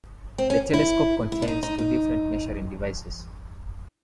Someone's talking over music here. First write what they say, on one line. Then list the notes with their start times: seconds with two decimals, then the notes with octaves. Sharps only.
The telescope contains two different measuring devices.
0.38 C4
0.50 C#4
0.74 E4
1.32 E4
1.42 D4
1.48 D#4
1.63 D#4
1.78 D#4